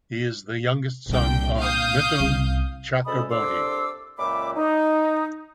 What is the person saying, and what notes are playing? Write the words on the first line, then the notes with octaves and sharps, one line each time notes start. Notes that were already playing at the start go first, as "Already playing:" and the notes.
He is the youngest son of Mithun Chakraborty.
C2 A#2 D3 G5
F5 D#6 G6
C2 C#3
D2 G#3 C#4 A4 B5 D#6
C2 D3 D4 C6 D6 E6
C#2 A#2 E5 B5 D6
D#4